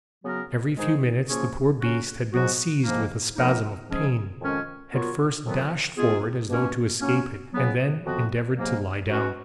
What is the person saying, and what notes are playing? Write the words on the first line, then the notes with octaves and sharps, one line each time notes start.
Every few minutes the poor beast had been seized with a spasm of pain, had first dashed forward as though to escape it and then endeavoured to lie down.
C#3 F#3 B3 F#4 A#4
G#2 D#3 G#3 D#4 G#4
F3 A#3 C#4 G#4 C#5
F#3 C#4 F#4
G#2 F#3 B3 F#4
G#2 F3 A#3
F#2 F3 A#3 D#4 A#4
G#2 F3 G#3 C#4 G#4
F2 D#3 G#3 C#4
F#3 B3 F4 A#4 C#5
F2 D#3 F#3 B3
G#3 B3 F4 G#4
B2 A#3 C#4
F#3 A#3 C#4
C#3 F#3 B3
F2 F3 B3 F#4
G#2 F#3 A#3
B2 G#3 C#4 F#4